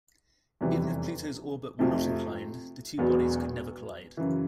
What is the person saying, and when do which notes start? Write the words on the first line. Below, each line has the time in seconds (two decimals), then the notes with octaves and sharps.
Even if Pluto's orbit were not inclined, the two bodies could never collide.
0.61 F1 E2 C3 E3 G3
1.79 F2 C3 F3 A3
2.98 E1 E2 B2 F#3 B3
4.17 F#2 C#3 E3